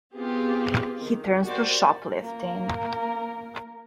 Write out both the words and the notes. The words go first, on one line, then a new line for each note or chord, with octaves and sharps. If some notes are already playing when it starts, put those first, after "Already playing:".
He turns to shoplifting.
B3 C4 F4 G4 G#4
D#3
A#3 F#4 G4 C5 D5
A#3 A#4